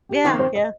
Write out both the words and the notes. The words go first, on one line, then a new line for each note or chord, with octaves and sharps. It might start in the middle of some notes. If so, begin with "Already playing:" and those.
Yeah, yeah.
G4
F2 C3 D#3 C4 D#4
C5
D#5